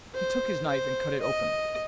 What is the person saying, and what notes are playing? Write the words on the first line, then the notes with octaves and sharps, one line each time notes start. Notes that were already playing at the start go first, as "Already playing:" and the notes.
He took his knife and cut it open.
C5
C5
D#5